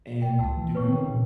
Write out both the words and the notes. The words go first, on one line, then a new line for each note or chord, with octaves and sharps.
and do
B2 G5
C#2 F#4 A5 E6
E3
A#2 B4 C#5 C#6
D#3 C#4 A#4
A#2